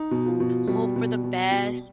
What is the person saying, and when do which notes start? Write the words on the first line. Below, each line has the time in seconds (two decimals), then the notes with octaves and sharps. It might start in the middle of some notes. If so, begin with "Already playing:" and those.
hope for the best.
Already playing: D#4
0.11 B2
0.26 F3
0.40 B2
0.67 B2 G3
0.96 B2
1.23 B2
1.51 B2